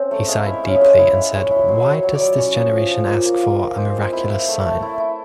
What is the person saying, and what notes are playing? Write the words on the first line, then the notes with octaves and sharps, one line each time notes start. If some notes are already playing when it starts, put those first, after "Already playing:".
He sighed deeply and said, 'Why does this generation ask for a miraculous sign?
Already playing: C4 C#4
A3
G#3 F5
E4 E5
C#4 F5
D#5
G#3 E5
E4 F5
G#3
G#3 C#5
E4
F#3 C5
F#3
C#5
F#3
D5
F#3
D5
C#4 C#5
F3
F3
F3
A#3
A#3
F4
A#3
G#3 C5
C4
E4
E4
A3
A3
E4
E4